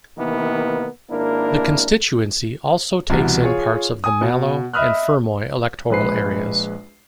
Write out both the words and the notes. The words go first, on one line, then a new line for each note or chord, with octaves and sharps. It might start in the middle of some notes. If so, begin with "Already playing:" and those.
The constituency also takes in parts of the Mallow and Fermoy electoral areas.
C3 D#3 E3 A#3 B3
G#1 A#3 D4 E4 A#4
C2 B2 E3
F4 G#4 C#5
G#5 D#6
B2
D#5 E5 B5 D#6 F6 F#6
A#1 G#3 B4 C7